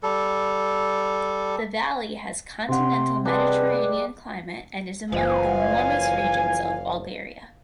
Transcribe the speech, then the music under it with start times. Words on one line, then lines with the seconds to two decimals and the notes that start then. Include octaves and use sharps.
The valley has continental Mediterranean climate and is among the warmest regions of Bulgaria.
0.03 G3 A4
2.68 C3 F#5 C6
3.25 G3 G#3 D4 B4
5.12 F#1 E2 E3 F3 F5 G#5